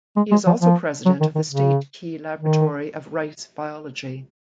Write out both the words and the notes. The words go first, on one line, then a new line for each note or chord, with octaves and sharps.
He is also president of the State Key Laboratory of Rice Biology.
G#3
G#3
F3
F3
F#3
D#3
D#3
C#3
D#3